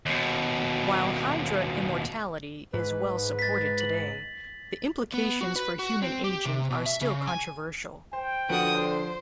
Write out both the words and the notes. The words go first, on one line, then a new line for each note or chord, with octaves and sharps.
While "Hydra" immortality is well-supported today, the implications for human aging are still controversial.
D#2 B2
G#2 B4
A6 B6
F#7
B3
F#4
B4
F#4
C4
G4
C3
B2
E5
C#3
G#5
C5 G5
D3 F3 F#4 B4 D#6 D7
C5